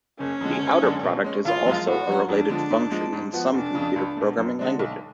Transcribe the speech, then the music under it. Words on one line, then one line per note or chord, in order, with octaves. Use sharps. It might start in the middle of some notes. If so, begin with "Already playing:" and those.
The outer product is also a related function in some computer programming languages.
F#1 C#4
F2 D3 G#3
F#1
F#2 D3 G#3 D4
B2
G#3 C#4
G#1 F4
F#2 F3 G#3
A2 F#4
F#3 C#4
F2 D4
D3 F3 G#3
G#2
F3 G#3
G#2
F3 B3 F#4
F1 D4
F2 C#3
C#2
B2 A3
F#2
D3 G#3 D4
B1